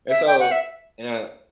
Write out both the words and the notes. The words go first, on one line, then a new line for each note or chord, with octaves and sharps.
and so and,
E5
G5
F#5
E5